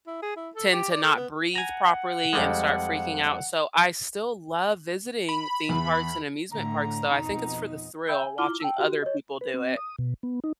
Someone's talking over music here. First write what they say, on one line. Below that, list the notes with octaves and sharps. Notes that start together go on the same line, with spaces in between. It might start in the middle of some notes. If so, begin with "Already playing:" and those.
tend to not breathe properly and start freaking out, so, I still love visiting theme parks and amusement parks, though, I think it's for the thrill, watching other people do it.
E4
G#4
E4
A4
G4
D5
A4
B3
F#5 G#5 A#5
F2 G3 G#3
B5
E2
A2 D3 A#5
F2 B2 D#4
E5 G5 B5 E6 G6
G#5
E4 F4 D6 F6 G7
G5 A5 E6
F#4 G4
C#5 D#5
B4
C4
D#6
B2
B3
D#4